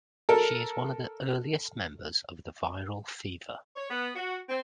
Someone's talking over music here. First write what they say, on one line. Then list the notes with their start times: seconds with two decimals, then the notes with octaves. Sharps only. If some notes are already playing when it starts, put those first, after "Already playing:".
She is one of the earliest members of The Viral Fever.
0.29 A4 A#4
3.76 C#5
3.89 B3
4.15 F#4
4.49 C4